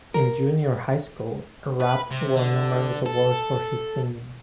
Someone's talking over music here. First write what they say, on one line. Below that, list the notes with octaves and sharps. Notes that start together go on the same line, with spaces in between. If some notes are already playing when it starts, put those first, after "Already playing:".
In junior high school, Rapp won numerous awards for his singing.
A#4
B4
C3
D3
A4